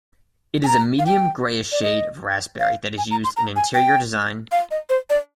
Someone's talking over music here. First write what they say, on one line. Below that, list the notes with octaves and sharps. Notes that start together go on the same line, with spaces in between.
It is a medium grayish shade of raspberry that is used in interior design.
G#5
A#5
F5
G5
D5
D#5
F5
G#5
A#5
C6
A#5
G#5
G5
F5
D#5
C5
D5